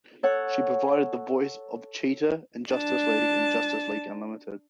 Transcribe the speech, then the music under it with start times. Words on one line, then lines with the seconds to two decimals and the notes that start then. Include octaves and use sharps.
She provided the voice of Cheetah in "Justice League" and "Justice League Unlimited".
0.23 A4 C#5 F#5
2.73 D4 A5